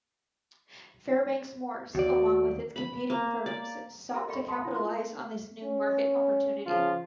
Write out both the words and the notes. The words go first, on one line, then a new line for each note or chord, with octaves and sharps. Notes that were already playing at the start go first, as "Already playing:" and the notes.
Fairbanks-Morse, along with its competing firms, sought to capitalize on this new market opportunity.
D#2 F#4 D5
B5
A#3
D5
G4 A#4 E5 C6
A4 D#5 F5 G5 B5 C#6
G5 A5 C6 D#6
E4 F5
C#4 F4 A#4 C6
C#4
C#3 F3 F4